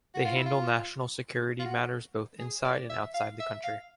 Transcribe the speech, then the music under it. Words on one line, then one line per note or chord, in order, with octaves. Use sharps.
They handle national security matters both inside and outside the country.
F#4
F4
E4
F4
F4
F#4
G#4
D5
E5
F5
E5
F5